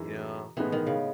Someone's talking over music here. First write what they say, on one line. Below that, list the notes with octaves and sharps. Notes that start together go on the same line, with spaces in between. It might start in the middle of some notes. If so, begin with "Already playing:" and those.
You know?
Already playing: F#2 E3 G#3 D#4
A2 E3 G#3 B3 D#4
D#3
C#3